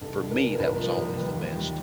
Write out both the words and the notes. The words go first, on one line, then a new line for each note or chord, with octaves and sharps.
For me, that was always the best,
C2 A4
C2
A#4
A#2
A#4
C2 B4
F3
A#4
C2
D#2 B4
D#2
D#2